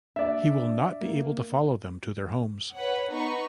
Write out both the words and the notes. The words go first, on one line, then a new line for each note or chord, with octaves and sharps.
He will not be able to follow them to their homes.
D4 D5 E5
A#3
B4 C#5 F#5
B3 D#4 A#5 C#6